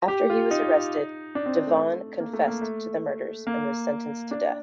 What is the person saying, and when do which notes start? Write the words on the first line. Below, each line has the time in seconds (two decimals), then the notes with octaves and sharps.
After he was arrested, DeVaughan confessed to the murders and was sentenced to death.
0.08 G4
0.30 F4
0.51 D#4
1.35 D4
1.46 C4
1.67 A3
2.20 A#3
2.33 A3
2.48 A#3
2.62 A3
3.47 A#3
4.31 D4